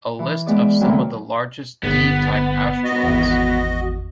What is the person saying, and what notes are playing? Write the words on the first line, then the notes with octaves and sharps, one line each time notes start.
A list of some of the largest D-type asteroids.
E3
G#3 B3 D5 D6
D2 F#3 B3 C4 A#4
G1 B3
F#4 D#5
G#1 E2